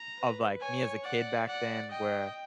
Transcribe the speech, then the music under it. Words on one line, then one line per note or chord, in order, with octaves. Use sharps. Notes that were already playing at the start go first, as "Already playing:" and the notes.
of, like, me as a kid back then where
Already playing: A#5
B4
C#5 G#5
D5 F#5
D5 F#5
D#5 G5